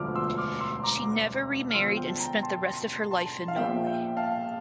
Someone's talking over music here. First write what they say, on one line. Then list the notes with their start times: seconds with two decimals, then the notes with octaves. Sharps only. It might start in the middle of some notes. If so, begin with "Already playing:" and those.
She never remarried and spent the rest of her life in Norway.
Already playing: E1 D2 D3 F3 D6 F6
0.15 C6 E6
0.38 D6 F6
0.60 C6 E6
0.73 C6
0.83 A#5 D6
1.70 F6
1.74 E2 D3 F3 C6 E6
1.97 G5
2.09 A5
2.20 G5 A#5
2.43 A5 C6
2.65 A5 C6
3.11 A5 C6
3.48 F5
3.56 A#1 A#2 F3 E5 G5
3.86 E5 G5
4.17 F5 A5